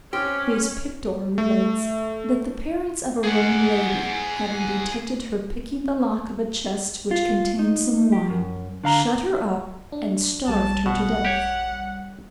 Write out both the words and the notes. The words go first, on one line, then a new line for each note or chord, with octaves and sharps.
Fabius Pictor relates, that the parents of a Roman lady, having detected her picking the lock of a chest which contained some wine, shut her up and starved her to death.
C4 C#4 G4 F6
A3
G#4 F#5
F4
D#4
G4
F#2
D3 F5 A#5
D4
A#1 G3 A5
B2 F#5
G4 C#5